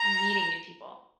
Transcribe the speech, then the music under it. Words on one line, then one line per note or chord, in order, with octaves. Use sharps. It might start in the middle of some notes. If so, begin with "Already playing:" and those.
meeting new people?
Already playing: A#5